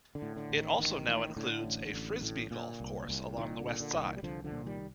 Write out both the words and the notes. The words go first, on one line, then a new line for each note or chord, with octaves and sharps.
It also now includes a frisbee golf course along the west side.
D3
A2
D3
A1
D#3
A1 D#3
A2 D#3
A2 D3
A1
A1
A2
A#2
C2
C2
A#2 D#3
D3
A#2
D3
C2
D#3
G3
C2 D3 F3
D3 F3
A#2
D#3 G3